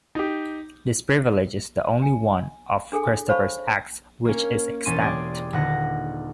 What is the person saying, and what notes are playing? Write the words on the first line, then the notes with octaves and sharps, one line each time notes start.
This privilege is the only one of Christopher's acts which is extant.
D#4 G4
G#5
D4 G#4 A4 G#5
C5 C#5 F5 A5 B5 C#6
A#3 C#4
E1 C#4 C6 A6 D#7
G4 G#4 D5
D#1 D3 F#5 A#6